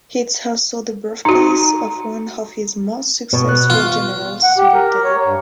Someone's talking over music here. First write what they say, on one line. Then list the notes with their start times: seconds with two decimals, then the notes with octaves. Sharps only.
It is also the birthplace of one of his most successful generals; Subutai.
1.25 D#4 F#4 A#5
3.33 B2 B4 C#6
3.48 C#6 F#6
3.70 F4
4.43 F#5
4.58 G4
4.73 A#4
5.04 C#5
5.23 G2